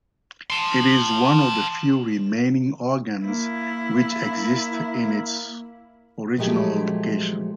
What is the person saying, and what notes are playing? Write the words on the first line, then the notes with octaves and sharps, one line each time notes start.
It is one of the few remaining organs which exists in its original location.
A5 C6
A#3 E4
A#2 F3 F#3 G#3 A3 G4